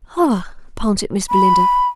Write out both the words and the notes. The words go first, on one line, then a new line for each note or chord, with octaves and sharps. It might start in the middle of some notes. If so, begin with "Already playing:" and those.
"Ah!" panted Miss Belinda.
B5